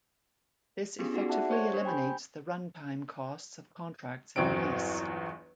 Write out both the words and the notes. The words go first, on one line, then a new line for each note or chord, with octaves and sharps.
This effectively eliminates the run-time costs of contracts in release.
B3 C#4 D4 F4 G4 G#4
D#4 F#4 G#4 D5
G#4 D5 E5 F#5 A5
C5 C#5 C#6 G#6
D4 G4 C5
G5 G#5 B5 G6
G1 E2 F#3 C4 D7